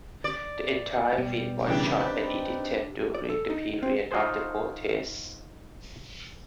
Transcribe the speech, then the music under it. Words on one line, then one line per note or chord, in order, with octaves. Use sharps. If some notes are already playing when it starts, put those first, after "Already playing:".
The entire film was shot and edited during the period of the protests.
D5
B2 G3
C2 C#3 E3 D4 G4
C4 D#4 B4 B5
D5
A4
D#4
C4
D#4 F4 F#4 G#4 C5